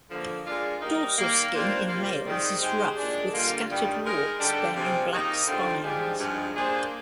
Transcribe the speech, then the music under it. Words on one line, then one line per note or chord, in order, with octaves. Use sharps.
Dorsal skin in males is rough with scattered warts bearing black spines.
D3 F3 A#3
G#3 D4 F4 A#4 D5
G3 A#3 D#4 A#4
D#3 G3 A#3
G3 A#3 D4 F4 C5
C3 G3 A#3 F4
G#2 D#3 G3 C4 D#4
G#3 D#4 G4 C5
A#2 G#3 D4
D3 G3 A#3 F4
G2 D#3 G3
G#3 D#4 A#4
D3 G3 D4 G4
C3 G3 C4 F4 G#4
D#3 A#3 D#4
D3 G3 C4 F4
G#2 F3 G#3 D4 G4
G2 F3 G#3
A#3 D4 G#4 C5